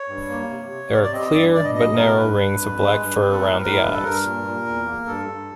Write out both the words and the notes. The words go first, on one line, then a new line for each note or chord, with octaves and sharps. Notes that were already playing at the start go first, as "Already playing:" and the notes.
There are clear, but narrow, rings of black fur around the eyes.
Already playing: C#5
G2
A#3
C3
C3
C3 D5
D5
C4 D#5
G2 D5
G2 D5
D#5
B2 D#5
B2 A#4
G2 B4
G2
F2
G#3
G2
C4
A4
A2 A#4
B4
A2 A#4
G2 B4
A4
G2 A#4
A#2
A#2
E2
A#3
G2 A4
G2